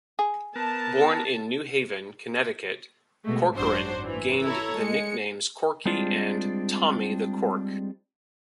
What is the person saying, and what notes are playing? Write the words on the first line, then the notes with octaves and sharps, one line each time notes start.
Born in New Haven, Connecticut, Corcoran gained the nicknames Corky and Tommy the Cork.
G#4
B3 A#4 A5
B2 G#3 A3
G#1 F#2 F#3 D4 F#4 C5
E3
E4 A4 C#5 A#5
G#3 C#7
G3 G#3 C4 D4 F4